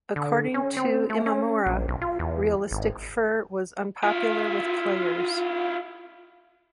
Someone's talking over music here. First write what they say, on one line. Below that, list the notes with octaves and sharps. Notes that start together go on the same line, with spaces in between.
According to Imamura, realistic fur was unpopular with players.
D3
C#4
C4
A3
C#4
A#1
B1
F4
E2
G#1
E4 F4